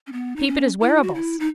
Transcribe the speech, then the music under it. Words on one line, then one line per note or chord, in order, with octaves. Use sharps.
Peep at his wearables.
C#4
B3
D#4
C#4
E4
F#4
E4
D#4